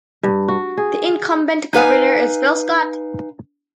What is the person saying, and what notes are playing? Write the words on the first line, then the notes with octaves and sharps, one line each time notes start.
The incumbent governor is Phil Scott.
G2
F#4
G#4
D#4 B4 F5 G#5